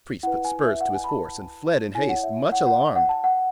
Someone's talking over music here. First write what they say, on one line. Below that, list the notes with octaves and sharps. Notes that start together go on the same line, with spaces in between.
The priest put spurs to his horse and fled in haste, much alarmed.
E4 B4 F#5
G#5
E5
F#5
G#5
B5
A5
E4 A4 C#5 G#5
F#5
E5
F#5
F#5
F#5
A5
F#5